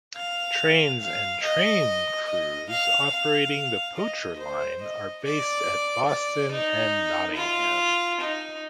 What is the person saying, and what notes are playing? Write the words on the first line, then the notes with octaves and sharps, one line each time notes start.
Trains and train crews operating the Poacher Line are based at Boston and Nottingham.
F5
F5
D#5
D#5
F5
F5
D#5
C5
D#5
D5
D5
D#4
F4
D#4